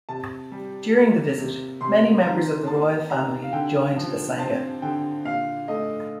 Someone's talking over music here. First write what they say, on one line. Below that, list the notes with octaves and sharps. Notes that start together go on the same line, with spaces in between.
During the visit, many members of the royal family joined the sangha.
C3 A5
G3
A#3
C3
C3 C6
D#3 A#5
A#3 A5
C3 A#5
F5
D3 G5
F3
C4 A5
D3 G5
A#2 F5
A3 D#5